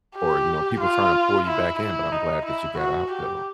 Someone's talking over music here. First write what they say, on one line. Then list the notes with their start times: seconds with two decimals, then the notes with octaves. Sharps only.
or, you know, people trying to pull you back in, but I'm glad that you got out, though,
0.16 G4
0.81 F4
1.47 E4
1.79 E4
2.12 D#4
2.45 E4
2.78 F#4
3.11 G4